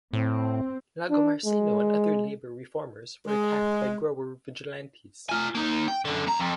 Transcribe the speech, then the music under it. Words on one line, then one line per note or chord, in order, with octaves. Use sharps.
Lagomarsino and other labor reformers were attacked by grower vigilantes.
A2 C4
D4
G#3
G#3
F4 G#5
A#3 D#4
G5
F#2 D3
E2 A#5
F2